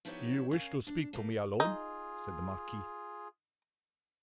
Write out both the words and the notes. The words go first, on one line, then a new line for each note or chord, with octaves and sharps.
"You wish to speak to me alone?" said the marquis.
F3 B3 D#4 E4 G4 C#5
C#4 A#4 F5
D4
A3 A#3
D#4 F4 G#4